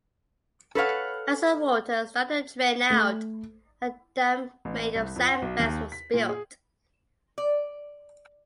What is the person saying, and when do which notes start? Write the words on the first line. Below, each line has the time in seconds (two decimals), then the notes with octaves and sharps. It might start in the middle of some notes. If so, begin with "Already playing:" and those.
As the water started to drain out, a dam made of sandbags was built.
0.75 A4 B4 C#5 F5 F#5
2.90 A3
4.65 A1
4.95 C2
5.16 F2
5.28 F#5
5.42 B1
5.59 D#2
5.92 B6
6.14 A#2
6.29 G#4
7.38 D5